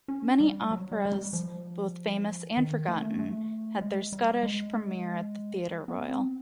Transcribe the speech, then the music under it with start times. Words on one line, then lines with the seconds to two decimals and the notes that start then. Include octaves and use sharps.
Many operas, both famous and forgotten, had their Scottish premiere at the Theatre Royal.
0.08 C#4
0.40 G3
0.71 F#3
0.92 G3
1.06 G#3
1.12 G3
1.33 F3
2.57 D#3
2.88 A3
3.19 A3
3.81 G#3
4.13 G3
4.43 G#3
5.88 B3
6.09 C4